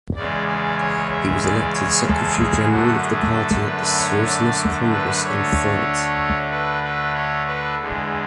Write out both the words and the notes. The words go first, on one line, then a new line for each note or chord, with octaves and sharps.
He was elected Secretary General of the Party at the Suresnes Congress, in France.
E2 C#3 G#3 D5
D5
C#5
E5
D5
C#5
A4
G#4
F#2 D3 A3 F#4
G#4
A4
B4
C#5
D5
B4
D2 D3 A3 C#5
B4
B4
C#5
B4
E2 D3 G#3